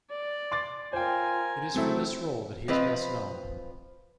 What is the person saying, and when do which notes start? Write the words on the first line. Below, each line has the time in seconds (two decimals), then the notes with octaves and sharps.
It is for this role that he is best known.
0.10 D5
0.52 C6 D6 A6
0.93 F4 A#4 C5 G5 G#5
1.74 F#3 A3 C4 E4 A4
2.68 F3 C4 B4 D#5